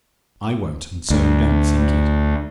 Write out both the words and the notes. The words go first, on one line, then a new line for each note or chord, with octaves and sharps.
I won't, and so don't think it.
D2